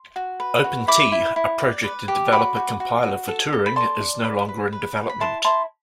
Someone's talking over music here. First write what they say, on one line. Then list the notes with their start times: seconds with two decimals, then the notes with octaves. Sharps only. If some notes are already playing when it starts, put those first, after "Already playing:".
OpenT, a project to develop a compiler for Turing, is no longer in development.
Already playing: C6
0.16 F#4
0.40 B4
0.64 F#4
0.88 E4 B5 D6
1.12 E4
1.36 E4
1.60 D5
1.84 B4
2.08 G4
2.32 F#4 B5 D6
2.56 F#4
2.80 F#4
3.04 F#4
3.28 A4
3.53 A4
3.66 B5
3.76 D5 A5 C6
4.00 D5
4.24 B4
4.49 B4
4.73 B4
4.97 B4
5.09 B5
5.20 E4 A5 C6
5.44 E4 A5 C6